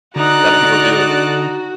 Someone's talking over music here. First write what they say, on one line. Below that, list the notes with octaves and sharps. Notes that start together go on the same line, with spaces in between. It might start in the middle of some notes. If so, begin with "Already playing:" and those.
that people do.
D3 D#4 F#4 D5 A#5 F#6